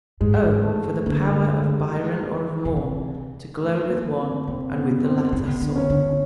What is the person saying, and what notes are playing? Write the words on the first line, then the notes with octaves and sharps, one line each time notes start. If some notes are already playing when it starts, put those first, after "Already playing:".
Oh, for the power of Byron or of Moore, To glow with one, and with the latter soar.
G#2 G#3
A3
D3 A#3
A3
G#3
G3
G#3
B2
C3
A3
A#3
C4
C3 C4
B3
C4
C#3 B3
D3
C#4
D3
C#4